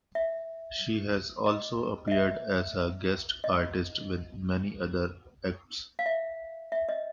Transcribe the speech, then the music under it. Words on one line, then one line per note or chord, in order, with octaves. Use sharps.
She has also appeared as a guest artist with many other acts.
E5
D#5
D#5
E5
D#5
F5
E5
E5
D#5